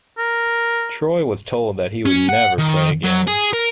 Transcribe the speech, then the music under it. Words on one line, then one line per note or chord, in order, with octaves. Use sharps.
Troy was told that he would never play again.
A#4
C#4
F#5
D#3
F#3
G#4
A#4